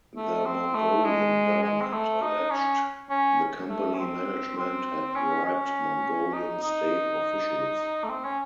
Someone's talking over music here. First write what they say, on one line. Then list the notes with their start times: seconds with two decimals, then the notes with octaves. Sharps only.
The Mongolian government alleged the company management had bribed Mongolian state officials.
0.16 A3
0.46 C4
0.75 A3
1.04 G#3
1.64 G#3
1.81 C4
1.93 A3
2.22 D#4
2.51 C#4
3.10 C#4
3.69 A3
3.95 C#4
3.98 C4
4.58 C4
5.16 C#4
5.45 C#4
6.34 D#4
6.63 D#4
8.04 A3
8.10 C4
8.25 C#4